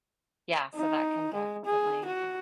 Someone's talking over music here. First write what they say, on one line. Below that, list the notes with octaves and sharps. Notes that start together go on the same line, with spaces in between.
Yeah. So that can definitely
D#4
G#3
G#4
F#4